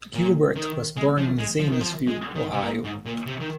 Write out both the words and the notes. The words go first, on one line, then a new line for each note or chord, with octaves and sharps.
Gilbert was born in Zanesville, Ohio.
A#2
D#3
G#3
F3
G#3
F3
D#3
F3
G#3
D#3
C3
A#2
G#2
A#2
C3
D#3